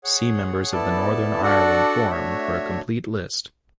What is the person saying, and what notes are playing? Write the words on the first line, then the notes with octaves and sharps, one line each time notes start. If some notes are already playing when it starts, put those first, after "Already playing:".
See members of the Northern Ireland Forum for a complete list.
G#4 C#5 F#5
B3 E4 A4 D5 A5
D4 F#4 A4 D5 F#5
A3 D4 F#4 C#5 E5